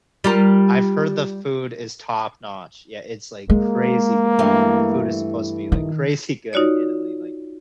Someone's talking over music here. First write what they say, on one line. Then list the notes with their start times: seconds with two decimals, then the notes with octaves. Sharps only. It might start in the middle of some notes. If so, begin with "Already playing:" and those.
I've heard the food is top-notch. Yeah, it's like crazy good. The food is supposed to be, like, crazy good in Italy, like
0.24 G3 F4 A#4
3.50 G#3 A#3
4.39 G2 E3 A3
5.72 D#3
6.53 D#4 F4 F#4 C#5 D5